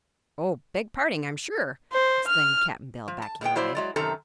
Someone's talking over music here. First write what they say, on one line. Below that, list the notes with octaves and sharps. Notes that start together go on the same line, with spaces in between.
"Oh; beg parding, I'm sure!" exclaimed Cap'n Bill backing away.
C5
F6
F3
A5
A2 G#3 B3 G5
F3 F#3 E4 C5 D5
F#3 G#3 D5
F#2 C3 D#3 A4 A#5